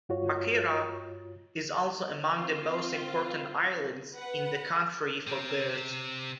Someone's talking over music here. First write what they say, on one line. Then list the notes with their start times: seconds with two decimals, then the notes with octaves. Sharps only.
Makira is also among the most important islands in the country for birds.
0.09 G2 F4 F#4 C#5
2.34 C4 F4
4.14 B4 F#5
5.27 C3 C4